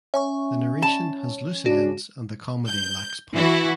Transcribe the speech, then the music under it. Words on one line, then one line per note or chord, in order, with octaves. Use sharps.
The narration has loose ends and the comedy lacks punch.
C#4 E5 G#5 C#6
A5
C#3 D4 F#4
G6
E3 E4 F#4